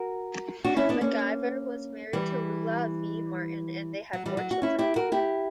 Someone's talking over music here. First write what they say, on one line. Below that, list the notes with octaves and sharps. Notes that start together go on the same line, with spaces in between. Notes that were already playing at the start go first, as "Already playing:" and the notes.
McIver was married to Lula V. Martin and they had four children.
Already playing: F#4 A#4
D4 F#4
C#4 E4
B3 D4
A#3 C#4
E3 G3
F#3
E3 G3
F#3
F#4
C#4 E4
E4 G4
F#4 A#4
E4 G4